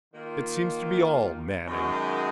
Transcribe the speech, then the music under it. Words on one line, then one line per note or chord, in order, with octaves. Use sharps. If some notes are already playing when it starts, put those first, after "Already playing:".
"It seems to be all Manning!"
D#3 A#3 F4
F#2 D#3 G#3